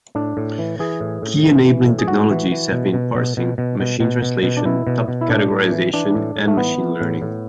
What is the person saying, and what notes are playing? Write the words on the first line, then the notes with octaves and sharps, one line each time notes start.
Key enabling technologies have been parsing, machine translation, topic categorization, and machine learning.
A2 D4
A2
E3
E3 G#4
A2
A2
E3
E3
A2
G#4
A2 F#4
E3
E3
B2
B2
B2
B2
B2
B2
B2
B2
B2
D4
B2 E4
B2
B2
E4
A2 D4
A2
E3
E3 D4
A2
A2
A3
E3 B3
E3
A2
A2